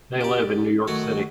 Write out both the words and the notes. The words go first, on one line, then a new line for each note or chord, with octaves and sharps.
They live in New York City.
G4 D5
D#3 F#3 A3 F#4 C#5